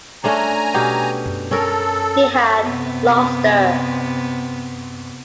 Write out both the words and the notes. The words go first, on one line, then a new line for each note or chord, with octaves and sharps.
He had lost her.
A3 C#4 D4 G#5 A#5
B2 G4
C#4 A4 A#4
C3 B3